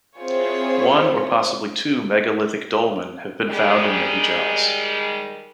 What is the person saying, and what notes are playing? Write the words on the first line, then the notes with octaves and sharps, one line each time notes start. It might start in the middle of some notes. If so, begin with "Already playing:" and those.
One or possibly two megalithic dolmen have been found in the Hijaz.
C4 E4 F4 G#4 C5 C#5
D#3 G3 G#3